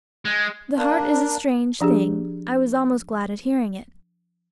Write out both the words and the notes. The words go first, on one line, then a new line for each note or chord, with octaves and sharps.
The heart is a strange thing; I was almost glad at hearing it.
G#3
A#3 D4
F3 D4 G4 G#4